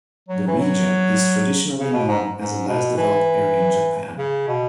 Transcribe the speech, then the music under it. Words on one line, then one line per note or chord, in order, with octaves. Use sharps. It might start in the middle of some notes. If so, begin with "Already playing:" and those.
The region is traditionally known as a less developed area of Japan.
F#3
E3
F#3
C#3
B2
G#2
G#2
B2
E3
C#3
B2